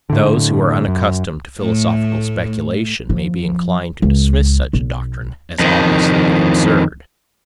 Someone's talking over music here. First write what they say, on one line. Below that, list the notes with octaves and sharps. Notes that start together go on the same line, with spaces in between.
Those who are unaccustomed to philosophical speculation may be inclined to dismiss such a doctrine as obviously absurd.
A2 D3
F#2
A2 A3
F#2 F3
C#2
B1
F2 D#3